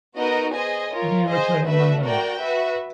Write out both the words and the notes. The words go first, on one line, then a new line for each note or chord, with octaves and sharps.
When are you returning my money?
B3 D#4 F#4 A#4 D#5
G#4 C5 D#5 G#5
F4 A#4 C#5
G#4 C5 D#5 G#5
A3 D4 F#4 B4 E5
F#4 A#4 D5 G5
F#4 B4 E5